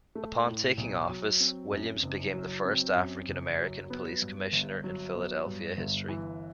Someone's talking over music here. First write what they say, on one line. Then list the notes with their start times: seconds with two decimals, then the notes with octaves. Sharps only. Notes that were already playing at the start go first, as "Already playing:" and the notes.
Upon taking office, Williams became the first African American police commissioner in Philadelphia history.
0.15 A3
0.47 A2
0.77 B1
1.10 F#3
1.40 C4
1.71 F#2
2.03 F#1
2.34 F#3
2.65 C4
2.96 F#2
3.28 F#1
3.58 F#3
3.90 B3
4.22 G2
4.52 G1
4.84 F#3
5.15 B3
5.46 G2
5.77 G1
6.09 E3